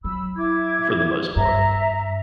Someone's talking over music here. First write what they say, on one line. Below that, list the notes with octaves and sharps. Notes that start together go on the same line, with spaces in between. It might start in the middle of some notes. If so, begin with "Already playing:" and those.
for the most part.
F#3 B5 E6
E4 D6 G#6
G2 E5 A#5